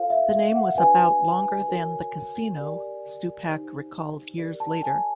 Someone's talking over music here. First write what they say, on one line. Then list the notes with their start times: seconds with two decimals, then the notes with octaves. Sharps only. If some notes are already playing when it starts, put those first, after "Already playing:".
"The name was about longer than the casino," Stupak recalled years later.
Already playing: F4 A4 C5 F5
0.10 E5
0.33 E5
0.55 F#5
0.77 D4 F#4 B4 D5 G#5
1.68 F#4 A#4 C#5
2.57 G4 A#4 D5
3.48 D#4 G4 C5
4.38 G4 A#4 D5
4.60 A5
4.83 G#5